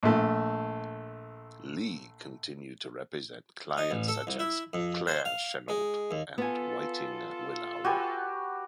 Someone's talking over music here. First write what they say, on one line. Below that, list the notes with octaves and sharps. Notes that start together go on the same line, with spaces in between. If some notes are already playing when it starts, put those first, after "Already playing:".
Lee continued to represent clients such as Claire Chennault and Whiting Willaurer.
A#1 A3
D#4
A1
A4
C2
E4
F2
C5
F5
G#3
D#2
B3 F4 A4 G#5
F#4 G4 B4 G#5